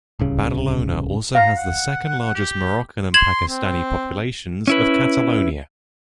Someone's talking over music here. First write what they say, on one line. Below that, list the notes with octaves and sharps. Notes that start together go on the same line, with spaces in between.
Badalona also has the second-largest Moroccan and Pakistani populations of Catalonia.
D1 C2 C#3
F5 A#5
F#5
G4
C6 G#6 E7 F#7
C4
C#4 E4 B4